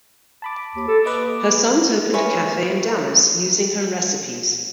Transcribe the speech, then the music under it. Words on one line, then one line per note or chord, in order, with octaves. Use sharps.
Her sons opened a cafe in Dallas using her recipes.
A5 B5 D6
D#2
A4
A#3 B4 D#5 D6
A#3 A#4 B4 C#5 E5 G#5